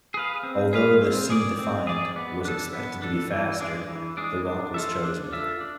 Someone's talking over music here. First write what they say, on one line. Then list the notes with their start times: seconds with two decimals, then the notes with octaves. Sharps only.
Although the "Sea Defiant" was expected to be faster, the Roc was chosen.
0.14 G#4 B4 F5
0.43 C4
0.73 G#4 B4 F5
1.02 C4
1.30 G#4 D5
1.59 C4
1.87 G#4 D5
2.16 B3
2.45 D4 A4
2.73 B3
3.02 D4 A4
3.31 E3
3.60 G#3 D4 G#4 D5
3.89 E3
4.17 G#3 D4 G#4 D5
4.47 D4
4.74 F4 A4 E5
5.04 D4
5.32 F4 A4 E5
5.61 D4